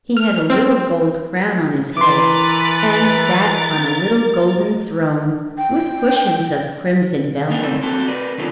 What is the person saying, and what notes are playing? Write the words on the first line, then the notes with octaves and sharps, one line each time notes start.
He had a little gold crown on his head, and sat on a little golden throne with cushions of crimson velvet.
F6
C4
E3 A#4 B4 C6 D6 A6
G5
G#3 A#3 B3 A#4 D5 G5
A2 D#3 C4 A4 A#4
C4 F#4 G4 A4 A5
A#4 B4 D5
C3 D#3 B3 D4 F4 A4